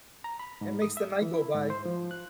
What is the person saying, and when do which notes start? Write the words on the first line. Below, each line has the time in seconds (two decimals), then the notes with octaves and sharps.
It makes the night go by.
0.24 A#5
0.40 B5
0.61 G#2
0.82 D#6
0.97 E5
1.22 E3
1.34 E4
1.54 G#2
1.70 C5
1.85 F3
2.11 F#6